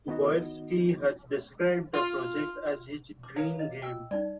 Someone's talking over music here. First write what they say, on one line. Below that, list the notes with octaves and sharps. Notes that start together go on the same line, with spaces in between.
Boyarsky has described the project as his "dream game".
D#3 B3 D#4 F#4 D#5
F4
D6
A#4 C#5 F5 A#5 D#6
D#5
G5 E6
G3 D#4 D5